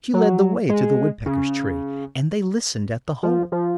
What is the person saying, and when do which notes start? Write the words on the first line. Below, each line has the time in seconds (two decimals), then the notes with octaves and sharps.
She led the way to the woodpecker's tree, and they listened at the hole.
0.14 F#3
0.69 G#3
1.26 C#3
3.23 F3
3.52 F3